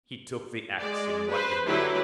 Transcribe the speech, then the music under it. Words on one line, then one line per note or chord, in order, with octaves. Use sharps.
He took the ax in wonderment.
G#3 D5
B4 C5
D3 F#3 G3 E4 G4 B4